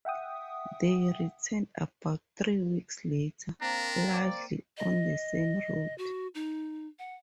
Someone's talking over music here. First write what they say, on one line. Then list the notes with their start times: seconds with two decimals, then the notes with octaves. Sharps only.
They returned about three weeks later, largely on the same route.
0.05 E5 F#5 G5 D#6
3.62 A#3 C4 D4 A#5
4.14 D5
4.77 D#5
5.98 F#4
6.35 D#4
6.99 F#5